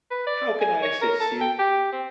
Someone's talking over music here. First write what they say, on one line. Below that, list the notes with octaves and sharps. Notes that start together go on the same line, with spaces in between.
How can I assist you?
B4
D5
G#5
C#5
A#4
A4
G5
G4
C4